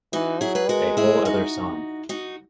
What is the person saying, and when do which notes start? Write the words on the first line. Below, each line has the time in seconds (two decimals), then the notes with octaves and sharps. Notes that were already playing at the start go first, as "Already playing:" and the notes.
A whole other song.
0.13 E3 D#4 F#4
0.41 F#3 E4 G#4
0.55 G#4 B4
0.69 G#3 F#4 A#4
0.97 E4 G#4
1.25 D#4 F#4
2.09 D#4 F#4